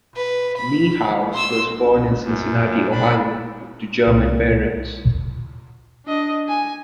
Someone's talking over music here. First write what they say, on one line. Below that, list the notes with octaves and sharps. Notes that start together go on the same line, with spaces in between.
Niehaus was born in Cincinnati, Ohio to German parents.
B4
B5
C6 E6
F#2
D4 B5
C2
D4 D#5
G#5